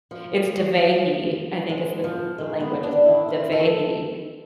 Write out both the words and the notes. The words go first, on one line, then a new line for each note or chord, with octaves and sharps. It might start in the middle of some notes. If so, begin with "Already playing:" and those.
it's Dhivehi, I think is the the language, it's called Dhivehi.
F3
G#3
F3
G#3
B3
D4
E4
F4
A4